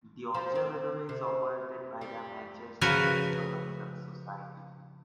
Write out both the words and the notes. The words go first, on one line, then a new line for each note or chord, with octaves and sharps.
The observatory is operated by the Manchester Astronomical Society.
F3
C4
C3
G3
C#3 F3 F#4 A#4 B4 G#5